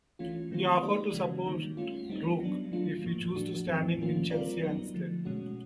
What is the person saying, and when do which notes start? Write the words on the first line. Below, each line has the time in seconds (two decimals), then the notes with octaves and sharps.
He offered to support Rooke if he chose to stand in Winchelsea instead.
0.19 E3 A3 C#4 F4
0.51 D#3 F#3 A3 C4 F4
0.82 A#3 D#4 G4 B4 D5
1.14 C#3 E3 G#3 C#4 F#4
1.46 D#3 G3 A#3 D#4
1.77 A3 C#4 F4
2.10 G3 C4 D#4
2.40 F#3 B3 D4
2.72 F#3 A3 D4 F4
3.04 A2 F3 A#3
3.35 F3 A3 D4 F#4
3.67 A2 F3 A3 C4
3.99 F3 A#3 C#4 F4
4.30 G3 C4 F4 A#4 D5
4.62 F#3 B3 D#4
4.94 D3 F3 A3
5.25 B2 G#3 C#4 F#4